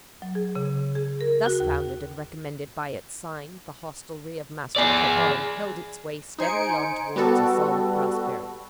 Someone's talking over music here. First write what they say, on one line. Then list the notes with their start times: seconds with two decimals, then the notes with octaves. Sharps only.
Thus founded and recommended by its sign, the hostelry of Master Cropole held its way steadily on towards a solid prosperity.
0.22 F#3
0.35 G#4
0.55 C#3
0.95 G#4
1.21 A#4
1.46 F#4
1.60 D#2
4.76 G#4 D5
6.38 D#4 C5 G#5 C#7 D7
7.16 G3 B3 F#4 A4